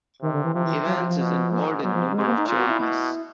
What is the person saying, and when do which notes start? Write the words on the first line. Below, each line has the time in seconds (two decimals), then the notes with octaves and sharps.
Evans is involved in a number of charities.
0.22 C3 D#3
0.33 D3
0.44 E3
0.54 C3 F3
0.65 E3
0.86 F#3
0.98 F3
1.08 F3
1.19 B2
1.51 G#2
1.83 G#2 F#3
1.94 F3
2.11 G3
2.15 G#2 G#3
2.27 A#3
2.37 D#4
2.47 A#2 F4
2.59 F#4
2.69 E4
2.80 B2